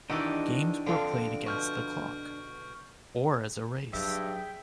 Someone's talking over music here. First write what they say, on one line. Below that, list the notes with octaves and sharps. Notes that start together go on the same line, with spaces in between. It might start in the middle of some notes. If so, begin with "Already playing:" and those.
Games were played against the clock, or as a race.
D#3 E3 D4 F#4 G4 D5 D#5 G5
D3 F3 C4 F5 D7
B2 C#6 F6 G6
G2 F#3 G#4 E5 G5